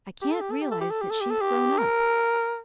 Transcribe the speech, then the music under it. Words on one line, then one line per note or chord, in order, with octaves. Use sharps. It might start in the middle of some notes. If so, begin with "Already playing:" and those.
I can't realize that she's grown up.
G4
A4
G4
A4
G4
A4
G4
A4
G4
A4
G4
A4
G4
A#4